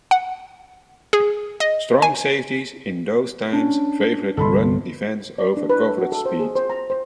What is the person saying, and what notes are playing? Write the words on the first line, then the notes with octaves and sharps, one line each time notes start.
Strong safeties in those times favored run defense over coverage speed.
F#5
G#4
D#5
G#5
C#4 D4
G1 C2 A4 B5 C6
D5
D4
B4
A4
F#4
A4
C5
G#4
C5
A#5
C5